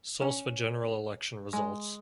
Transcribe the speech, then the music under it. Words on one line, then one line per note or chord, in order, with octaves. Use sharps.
Source for General election results.
C#4
G#3